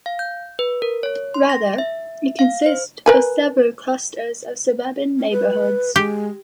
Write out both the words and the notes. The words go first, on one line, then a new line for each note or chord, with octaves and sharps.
Rather, it consists of several clusters of suburban neighborhoods.
F5
G6
B4
A#4
C#5
C6
A#6
E5
F5
C5
A#4 B4 G#5
C#4
B4
G#3 G4